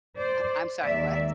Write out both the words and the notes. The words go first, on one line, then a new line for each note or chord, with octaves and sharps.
Uh, I'm sorry, what?
C5 D5
D#2 D#3 G#3 D5 E5